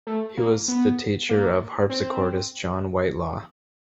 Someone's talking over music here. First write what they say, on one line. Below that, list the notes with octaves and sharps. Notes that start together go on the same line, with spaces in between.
He was the teacher of harpsichordist John Whitelaw.
A3
A#3
B3
A#3
C4